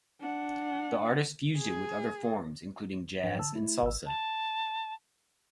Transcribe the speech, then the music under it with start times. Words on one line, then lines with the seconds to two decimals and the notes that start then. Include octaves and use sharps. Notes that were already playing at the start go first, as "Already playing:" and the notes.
The artists fused it with other forms, including jazz and salsa.
0.20 D4 F#5
1.59 G#4
3.24 G#2 F3 D4 B4 C#5 G5
3.39 D3 A5 E6
3.53 A3 E4
3.82 G#1 E6
4.06 A5